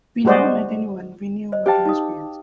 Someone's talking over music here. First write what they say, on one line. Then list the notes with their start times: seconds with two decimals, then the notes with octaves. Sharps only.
We never met anyone we knew were lesbians.
0.25 G3 G#3 F#4 C5 D5 D#5
1.52 C5 D#5
1.66 G4 C5 F5 G5 A5
1.85 D#4 D#6